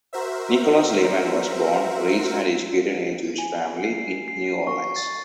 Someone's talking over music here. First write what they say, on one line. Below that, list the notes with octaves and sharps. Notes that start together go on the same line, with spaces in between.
Nicholas Lemann was born, raised, and educated in a Jewish family in New Orleans.
F#4 A#4 C5 E5
G#5
C7
C7
C#6
A6